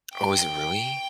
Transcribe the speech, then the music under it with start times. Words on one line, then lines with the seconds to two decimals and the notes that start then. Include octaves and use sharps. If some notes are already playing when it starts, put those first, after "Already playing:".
Oh, is it really?
0.14 G5